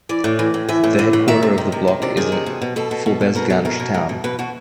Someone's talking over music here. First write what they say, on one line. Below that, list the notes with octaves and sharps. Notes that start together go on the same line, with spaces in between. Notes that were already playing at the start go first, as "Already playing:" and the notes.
The headquarter of the block is at Forbesganj town.
E3 D5
A2
E3
A2
E3 E5
A2
E3
A2
D#3 E5
C3
D#3
C3
D#3
C3 D5
D#3 G#4
C3
B2
B2
B2 A4
B2
B2
B2
B2 A#4
B2 A4
B2 A#4
B2
B2
B2
B2 B4
B2 F#4